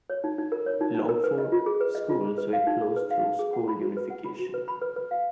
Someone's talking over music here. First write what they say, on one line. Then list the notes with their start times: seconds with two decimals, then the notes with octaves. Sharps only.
Longford schools were closed through school unification.
0.10 C#5
0.24 D#4
0.38 D#4
0.52 A#4
0.66 C#5
0.81 D#4
0.95 D#4
1.09 A#4
1.24 B4
1.38 D#5
1.52 F4
1.66 G#4
1.80 B4
1.95 D#5
2.09 F4
2.24 G#4
2.38 B4
2.53 F5
2.67 D#4
2.82 G#4
2.96 B4
3.11 F5
3.24 D#4
3.39 G#4
3.53 F#5
3.68 B5
3.81 F#4
3.97 B4
4.10 F#5
4.25 B5
4.39 F#4
4.54 B4
4.68 B5
4.81 B4
4.96 B4
5.11 F5